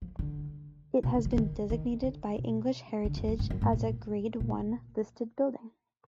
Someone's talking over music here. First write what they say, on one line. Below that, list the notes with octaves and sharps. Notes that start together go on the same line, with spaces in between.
It has been designated by English Heritage as a Grade One listed building.
F3
D3
B2
D3
F3
D3
D#3
D#3
D3
B2
D3
F2
F#2
G#2
F#2
G#2
A#2
A#2